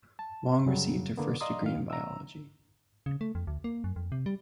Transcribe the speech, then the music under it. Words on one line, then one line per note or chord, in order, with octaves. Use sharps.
Wong received her first degree in biology.
A5
F#2 C#3 F#3 G3
D3 A#3 B3
D5 D#5 F5 A#5 C6 D#6
D#3 F5
A#5 E6
C#3
A3
F2
D2
A#3
F#2
F2
C3
G3